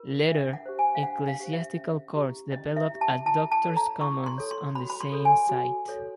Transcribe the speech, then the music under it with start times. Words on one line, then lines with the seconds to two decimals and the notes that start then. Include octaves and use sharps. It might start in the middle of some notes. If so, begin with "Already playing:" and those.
Later, ecclesiastical courts developed at Doctors' Commons on the same site.
Already playing: F4 A#4
0.29 D4 E5
0.53 F#5
0.66 G4 C5
0.79 G#5
0.95 F5
1.03 D4 F#5
1.28 F5
1.40 G4 C5
1.53 E5
1.77 C#4
2.15 E4 G4
2.52 C#4 D#5
2.76 E5
2.90 E4 G4
3.01 A5
3.26 E4 A5
3.52 A5
3.64 A4 C#5
3.77 A#5
4.00 E4 C#6
4.26 C6
4.38 A4 C#5
4.51 C6
4.75 F#4 B5
4.90 B5
5.01 C6
5.12 A4 C#5
5.25 G#5
5.49 F#4
5.88 A4 C#5